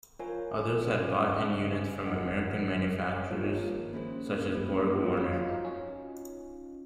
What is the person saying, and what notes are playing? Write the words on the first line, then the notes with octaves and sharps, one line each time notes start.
Others had bought in units from American manufacturers such as Borg-Warner.
F3 F4 A#4 C#5 G#5
C#4 G#4 C5
C#3 G#4 D#5 G#5
D#3 C#4 F#4 A#4 D#5 F#5
G#4 C#5 G#5
F3 A#3 D#4 A#4 C#5
D#3
F3
A#3 C#4 G#4 C5
A#3 C#4 G#4
D#3
F3
F#3
G#3 F#4 C#5 F5
F4
D#4
C#4